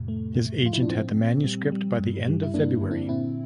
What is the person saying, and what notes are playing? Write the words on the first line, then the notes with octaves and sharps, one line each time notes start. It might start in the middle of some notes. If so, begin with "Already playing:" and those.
His agent had the manuscript by the end of February.
Already playing: F2 A2 C3
A3
A2
F3 F4
E4
D4
A#2 C4
A#2
G3
G3
G2
G3
E4
G2 A#3 D4
D3
C4 E4
A#2 C4 E4